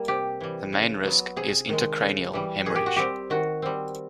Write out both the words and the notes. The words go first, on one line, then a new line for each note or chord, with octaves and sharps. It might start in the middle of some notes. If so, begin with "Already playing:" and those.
The main risk is intracranial hemorrhage.
Already playing: G3 A#3
C3 G4
E3 G3
C#3
F#3 B3
C3 G#4
D#3 G#3
C#3
E3 G3
A#2 G#4
G4
F#4
G3 C4 G4
D#3 F#4
G3 C4